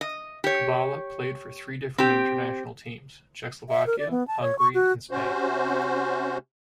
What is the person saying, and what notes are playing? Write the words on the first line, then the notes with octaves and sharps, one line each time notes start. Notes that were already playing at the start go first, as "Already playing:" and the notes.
Kubala played for three different international teams - Czechoslovakia, Hungary and Spain.
D#5
G4 C#5
C4 G4
E5
A#4
D5
B3
A5
C#5
C#6
F#4
C3 C#4 F#4 C5